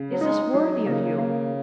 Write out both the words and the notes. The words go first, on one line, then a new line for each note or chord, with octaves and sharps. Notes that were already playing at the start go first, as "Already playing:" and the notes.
Is this worthy of you?
Already playing: C#3
F#3
G#3 D#4
F#3
C#3 A#3
A#3